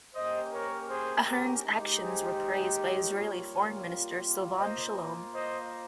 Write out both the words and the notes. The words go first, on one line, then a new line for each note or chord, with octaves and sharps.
Ahern's actions were praised by Israeli Foreign Minister Silvan Shalom.
A#3 C#4 G4 C5 D#5
A#4 C#5
G#4 C5
G4 A#4
G#3 D#4 G4
G#4 C5
G#4 C5
A#4 C#5
G3 A#3 F4
A#3 F4 C5 D#5
C5 D#5